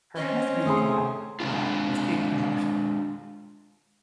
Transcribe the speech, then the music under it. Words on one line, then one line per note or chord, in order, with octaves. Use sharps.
her husband got a this big promotion
C4 C#4 D#5
A3 G#4 C6 D#6
G#3 D4 F4